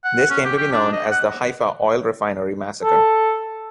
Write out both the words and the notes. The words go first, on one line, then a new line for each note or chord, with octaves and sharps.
This came to be known as the "Haifa Oil Refinery massacre".
F#5
C#4
G4
G4
D4
D#5
F#5
A4